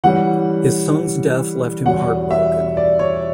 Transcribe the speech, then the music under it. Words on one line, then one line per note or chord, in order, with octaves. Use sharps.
His son's death left him heartbroken.
E3 G3 C#4 F#5
E2 B2 G3 C#4 F#5
E5
D5
C#5